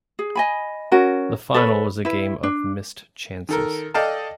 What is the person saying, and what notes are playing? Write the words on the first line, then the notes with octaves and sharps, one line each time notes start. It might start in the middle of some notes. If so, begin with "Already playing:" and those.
The final was a game of missed chances.
G#4
D#5 G#5 B5
C#4 F#4 A#4
A4 B4 C#5
E4 B4
D4
D#3 A4 A#4
A4 D5 D#5 F5 G5 A5